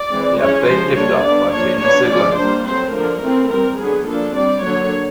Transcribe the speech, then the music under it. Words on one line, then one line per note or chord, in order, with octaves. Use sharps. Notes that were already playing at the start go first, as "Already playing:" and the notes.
The upbeat "Lift Off" by Tina Sugandh.
Already playing: D5
E3 G#3 C4
E3 G#3 C#4 C#5
F3 G#3 C#4 C5
D3 G3 A#3 D4 C#5
G3 B3 D4 D5
F3 A#3 D4 C#5
F#3 B3 D4 C#5
F3 G#3 C#4 D5
G3 A#3 D4 C5
F#3 A3 C4 C5
D3 F3 A#3 A#4
E3 A3 C4
G3 C4 A#4
D3 F#3 B3 G#4
F3 A#3 D4 A4
G3 C4 D5
D3 F#3 A#3 C#5